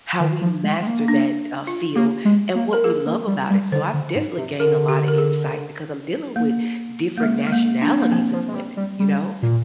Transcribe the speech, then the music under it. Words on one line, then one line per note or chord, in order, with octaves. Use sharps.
How we master that, uh, field and what we love about it, so I've definitely gained a lotta insight because I'm dealing with different nationalities of women, you know?
D#3
F3
G#3
G#3
A#3
D4
F4
A#3 G4
G#3
A#3
A#4
A#3 G#4
A#3
G3
G3
D3 C5
D3
G#2
C3
D3 A#4
G4
A#4
G#4
A#3
A#3
G#3
G#3
A#3
D4
C4
A#3
F3 C4
F3
G#3
G3
G3
G3
A#2